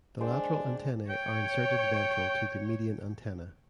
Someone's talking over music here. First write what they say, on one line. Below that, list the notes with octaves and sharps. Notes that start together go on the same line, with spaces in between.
The lateral antennae are inserted ventral to the median antenna.
G#3 D4 C5 G5
C#5 G5